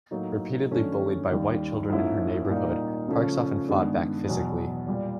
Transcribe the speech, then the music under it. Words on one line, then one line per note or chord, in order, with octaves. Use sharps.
Repeatedly bullied by white children in her neighborhood, Parks often fought back physically.
A2 F#3 A#3 D#4
G2 D#3 F#3 A3 C#4
D#2 D#3 G3
G#2 F3 A#3 C#4 E4
A#2 G3 A#3 D#4
C#3 F3 A3 C#4
G2 D#3 G#3 B3
E2 B2 F#3
A#2 G3 A#3